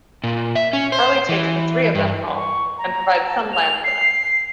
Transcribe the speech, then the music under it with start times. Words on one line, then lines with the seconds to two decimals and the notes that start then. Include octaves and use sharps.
Harley takes the three of them home, and provides some land for them.
0.24 A#2
0.55 E5
0.73 C#4
0.92 C5
1.29 E3
1.95 G2
2.36 C#6
2.78 A#5
3.27 A5
3.53 F7
3.84 C7